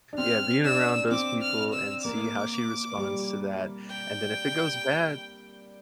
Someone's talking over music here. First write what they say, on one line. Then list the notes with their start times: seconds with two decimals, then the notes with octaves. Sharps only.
yeah, being around those people and see how she responds to that, and then if it goes bad
0.13 D4
0.18 C4 F6
0.65 D4 E6
1.11 C4 D6
1.42 F6
1.73 E6
2.04 A#3 D6
2.97 G3
3.90 G5